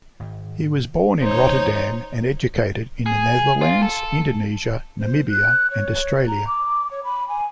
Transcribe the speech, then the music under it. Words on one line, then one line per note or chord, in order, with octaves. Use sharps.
He was born in Rotterdam, and educated in the Netherlands, Indonesia, Namibia and Australia.
G#1
D#1 D#4 C5 C#5
G#4
F4
A4
C5
F#6
C#5
A#5
D6
C#5
B5
G#5